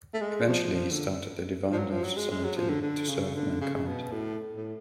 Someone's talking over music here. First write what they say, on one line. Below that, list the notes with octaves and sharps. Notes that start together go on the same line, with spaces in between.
Eventually, he started the Divine Life Society to serve mankind.
A3
G#3
F3
F3
D3
F3
F#3
F3
F#3
G#3
G#3
F#3
F3
D3
D3
C#3
D3
C#3
C#3
B2
A2
A2